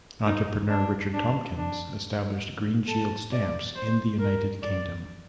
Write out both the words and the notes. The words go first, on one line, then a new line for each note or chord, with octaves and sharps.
Entrepreneur Richard Tompkins established Green Shield Stamps in the United Kingdom.
D#4
D4
D4
D4
A4
D5
C5
A#4
D5